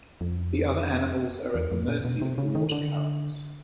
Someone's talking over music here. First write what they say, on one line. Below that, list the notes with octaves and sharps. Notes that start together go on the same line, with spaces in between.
The other animals are at the mercy of the water currents.
F2
E2
F2
A#2
B2
C3
C#3
D#3
D3